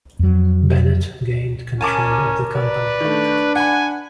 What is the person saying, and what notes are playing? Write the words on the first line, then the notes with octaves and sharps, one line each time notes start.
Bennett gained control of the company.
F2 F#3
C#4 A#4 G#5 A5 D6
B4 D5
D#3 A3 D4
F#5 G#5 B5